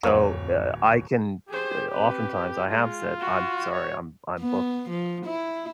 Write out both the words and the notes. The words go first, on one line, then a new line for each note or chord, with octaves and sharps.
So, uh, I can uh, oftentimes, I have said, "I'm sorry. I'm I'm booked
D1 F2 A#3 B3 C#5
G4 G#4 C5
C4 B4
G#3 F4
F#4
C#5
B3
F3
E4